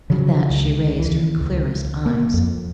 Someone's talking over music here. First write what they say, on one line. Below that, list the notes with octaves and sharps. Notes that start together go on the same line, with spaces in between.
At that she raised her clearest eyes.
C#3 F3 F#3
C#2
D#2 E3
C#2
A#3
F2